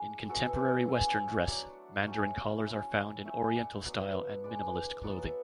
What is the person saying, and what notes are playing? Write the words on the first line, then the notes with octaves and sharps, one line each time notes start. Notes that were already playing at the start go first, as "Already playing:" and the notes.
In contemporary Western dress, mandarin collars are found in oriental-style and minimalist clothing.
Already playing: G#3 D4 E4
G#4
F#3 B3 E4 F#4 A4
E5 G#5
D5 F#5
G#3 C#4 E4 E5 G#5
D5 F#5
C#5 E5
F#3 A3 D4 D5 F#5
F#3 A3 C#4
A3 C#4 E4
A3 E4 E5 G#5
D5 F#5
F#3 B3 D4
G#3 D4 B4 D5
F#3 B3 E4 D5 F#5
D5
E5